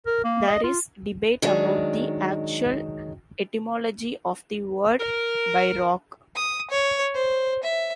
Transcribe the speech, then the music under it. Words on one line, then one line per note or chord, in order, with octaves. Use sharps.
There is debate about the actual etymology of the word "bierock".
A#4
A#3
D#5
F4
D#3 F#3 G#3 D4
A#4
D#6
C#5
C5
E5